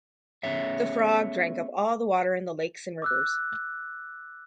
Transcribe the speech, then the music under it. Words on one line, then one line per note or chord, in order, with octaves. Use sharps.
The frog drank up all the water in the lakes and rivers.
A3 B3 C#4 G#4 C#5 E5
D6 E6 F#6